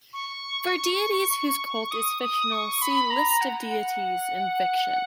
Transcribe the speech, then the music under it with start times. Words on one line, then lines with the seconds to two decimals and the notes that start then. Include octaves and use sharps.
For deities whose cult is fictional see List of deities in fiction.
0.13 C#6
1.91 D#6
2.22 D#6
2.52 C#6
2.81 B5
3.10 A#5
3.41 F#5
3.70 F#5